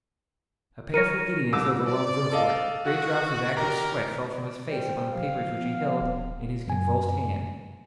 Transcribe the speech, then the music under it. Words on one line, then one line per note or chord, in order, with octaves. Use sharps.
A painful giddiness overwhelmed Villefort; great drops of acrid sweat fell from his face upon the papers which he held in his convulsed hand.
A#4 C#5 A#6 C#7 D#7
C2 D6 E6
D5
A4 D#5 F5
F#4
A#2 G4 A#4 A#5
D5
G3 C5
F3 F5
B3
D#1
F#2 G#5